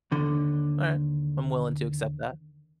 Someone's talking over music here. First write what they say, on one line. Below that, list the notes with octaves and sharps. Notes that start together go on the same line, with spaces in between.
Alright. I'm willing to accept that.
D#2 D3